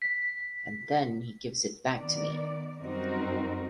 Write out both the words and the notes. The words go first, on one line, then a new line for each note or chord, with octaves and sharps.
And then he gives it back to me.
B6
D#3 B3 D5
F#2 G3 C4 D#4 F#4 A#4